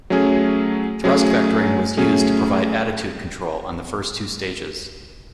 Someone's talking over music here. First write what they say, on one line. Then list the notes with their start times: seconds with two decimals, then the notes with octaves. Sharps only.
Thrust vectoring was used to provide attitude control on the first two stages.
0.10 F#3 A3 C#4 G#4
1.04 F#3 A3 C#4 G#4
1.97 F#3 A3 C#4 G#4